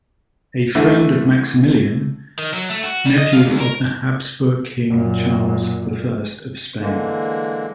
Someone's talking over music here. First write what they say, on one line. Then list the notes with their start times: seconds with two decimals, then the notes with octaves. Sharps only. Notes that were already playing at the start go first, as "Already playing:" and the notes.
A friend of Maximilian, nephew of the Habsburg King Charles the First of Spain.
0.75 D3 E3 A3
2.38 D#3
2.54 F#3
2.69 A3
2.83 F#4
3.06 G3
3.18 D#5
3.33 F4
3.46 D2
3.60 A#4
4.89 F#2 A#2
6.81 D3 E3 G#3 A#3